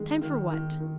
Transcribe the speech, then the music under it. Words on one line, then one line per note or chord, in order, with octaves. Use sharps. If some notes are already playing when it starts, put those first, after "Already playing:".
"Time for what?"
Already playing: D#3 G#3
D#3
D#3
D#3